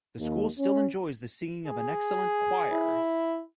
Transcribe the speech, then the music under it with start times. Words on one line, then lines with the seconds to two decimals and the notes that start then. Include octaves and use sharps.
The school still enjoys the singing of an excellent choir.
0.18 D#2
0.58 C#4
1.66 G#4
2.72 E4